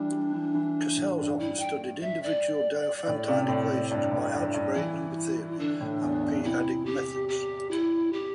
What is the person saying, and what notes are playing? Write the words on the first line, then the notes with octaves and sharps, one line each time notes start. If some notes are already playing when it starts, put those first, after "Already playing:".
Cassels often studied individual Diophantine equations by algebraic number theory and p-adic methods.
Already playing: E3 G3 D4
G3
E3
E3
A2
G2
G2 E4
G5
E5
D5
A2
C3
A2
G2
A2
G2
G2
E3 E4
D3 D4
A2
E2
G2
C3 E4
G4
G4
E4
G4